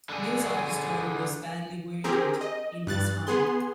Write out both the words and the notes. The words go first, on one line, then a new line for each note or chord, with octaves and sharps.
Lin's oldest daughter was badly wounded in his home.
D3 G#4
C4 G4 G#4 A#4
D#5
G2 F#6 A6
B3 G#4 C6